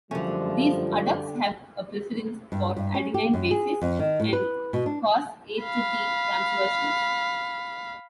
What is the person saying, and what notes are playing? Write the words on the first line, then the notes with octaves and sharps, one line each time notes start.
These adducts have a preference for adenine bases, and cause A-to-T transversions.
F#2 D3 F3 G3 A3 C#4
G2
G2
C#4
G4
F#2
G#4
F2
D#3
A2
B4
B2
D4
F5 B5